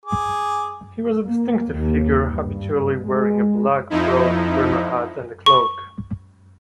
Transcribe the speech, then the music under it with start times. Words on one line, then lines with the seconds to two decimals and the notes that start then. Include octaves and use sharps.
He was a distinctive figure, habitually wearing a black broad-brimmed hat and a cloak.
0.06 G#4 D6
1.24 A#3
1.74 D#2
2.29 G2
3.07 G#3
3.90 F2 F3 D#4 E4
5.46 C#6